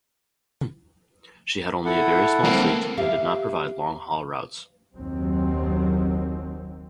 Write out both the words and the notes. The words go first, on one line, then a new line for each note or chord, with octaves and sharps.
She had only a very small fleet and did not provide long haul routes.
E4 A4 F#5
A#3 C4
G4 E5 F5
F#1 D#2 F#3 C4